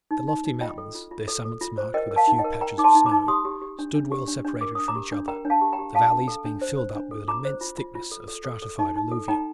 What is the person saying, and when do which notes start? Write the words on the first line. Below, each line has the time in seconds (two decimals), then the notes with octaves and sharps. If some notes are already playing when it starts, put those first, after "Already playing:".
The lofty mountains, their summits marked with a few patches of snow, stood well separated from each other, the valleys being filled up with an immense thickness of stratified alluvium.
0.11 D#4
0.28 D#4
0.45 D#4
0.61 F4 D#5 G5
0.78 A4
0.95 F4
1.11 F4
1.28 A4
1.45 A4
1.61 F4
1.78 C5
1.94 A#4 D#5 G5
2.11 A#4
2.16 F5 A5
2.27 D#4
2.39 D#5 G5
2.44 A#4
2.61 A#4 G5 A#5
2.78 D#4 D6
2.84 A5 C6
2.95 D#4
3.06 A#5 D6
3.11 D#4
3.28 G4 C6 D#6
3.45 G4
3.62 G4
3.79 D4
3.95 D4
4.12 G4
4.28 D4
4.45 D4
4.61 A#4 D6
4.75 D4 D#6
4.88 A#5 D6
4.95 G4
5.12 D4
5.28 A#4 G5 A#5
5.45 D4
5.50 F5 A5
5.61 G4
5.73 G5 A#5
5.79 G4
5.95 A4 F5 A5
6.11 D4
6.28 A4
6.45 D4
6.62 C5
6.78 C5
6.96 D4
7.11 A4
7.28 F4 A#5 D6
7.45 C5
7.61 F4
7.78 F4
7.95 F4
8.12 A4
8.28 A4
8.45 A4
8.62 A4
8.79 D#4
8.96 D#4
9.11 A4
9.28 D#4 G5 A#5